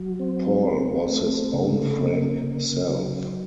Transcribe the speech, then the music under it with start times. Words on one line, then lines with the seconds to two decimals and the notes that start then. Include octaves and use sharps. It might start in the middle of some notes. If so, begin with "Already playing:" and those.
Paul was his own frank self.
Already playing: F#3
0.19 C4
0.64 C4
1.08 A3
1.53 C#3
1.99 A#3
2.44 C#3
2.89 F#3